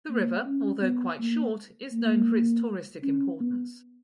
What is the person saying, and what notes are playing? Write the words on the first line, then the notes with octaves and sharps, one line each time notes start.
The river although quite short is known for its touristic importance.
A#3
C#4
B3
A#3
A#3
C#4
B3